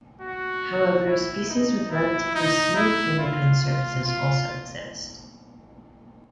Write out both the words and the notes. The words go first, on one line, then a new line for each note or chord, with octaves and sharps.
However, species with relatively smooth hemipene surfaces also exist.
F#4
E4
D#4
E4
D#4
E4
F4
F4
F4